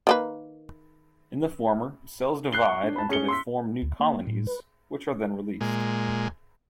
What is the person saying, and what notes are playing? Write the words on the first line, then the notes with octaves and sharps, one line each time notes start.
In the former, cells divide until they form new colonies, which are then released.
D#3 A#3 B4
F#6 C7 G7
C#6
D4
A5 B5
C#4 G#4 C#7 G7
C6 E6 B6
D2
A#3
A2
B4
A#2 G#3